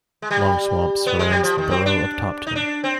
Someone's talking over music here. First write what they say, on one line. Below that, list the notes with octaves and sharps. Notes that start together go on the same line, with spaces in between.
Longswamp surrounds the borough of Topton.
G#3
G3
B3
G#3
G3
F3
D#3
C4
D4
D#4
D4
C4